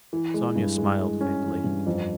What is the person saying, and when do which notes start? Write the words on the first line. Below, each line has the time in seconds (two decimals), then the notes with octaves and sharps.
Sonia smiled faintly.
0.13 E3
0.34 G#3
0.56 G2
0.77 G#3
0.99 G#3
1.21 C#4
1.43 E3
1.64 G2
1.86 F2